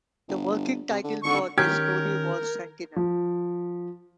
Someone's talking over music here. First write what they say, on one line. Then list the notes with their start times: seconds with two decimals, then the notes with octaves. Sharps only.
The working title for this story was "Sentinel".
0.28 G1
0.90 C3
1.04 D3
1.23 G#1 D3 C#6
1.58 D#3 C#4 G4 A#4 F6 G6 G#6
2.96 F3